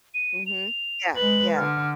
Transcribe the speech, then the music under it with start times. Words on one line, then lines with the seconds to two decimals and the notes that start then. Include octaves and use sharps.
Mhm. Yeah, yeah.
0.14 D#7
0.47 F7
1.16 G#3 B4 F#7
1.57 D3 F6